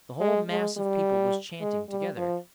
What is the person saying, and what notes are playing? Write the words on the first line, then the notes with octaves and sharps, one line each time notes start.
The whole mass of people was chanting together.
G#3
G#3
G3
G#3
G3
F3